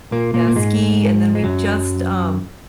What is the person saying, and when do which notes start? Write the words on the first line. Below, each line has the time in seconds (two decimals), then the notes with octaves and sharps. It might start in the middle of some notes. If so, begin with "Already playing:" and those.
Yeah, ski, and then we just, um
0.12 A#2 A#3
0.34 A#2 A#3
0.48 A#3
0.56 G#2 G#3
1.35 G#3
1.44 F#2 F#3